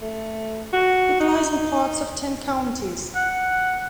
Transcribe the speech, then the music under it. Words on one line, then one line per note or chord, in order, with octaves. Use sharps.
It lies in parts of ten counties.
A3
F#4
D#4
F#5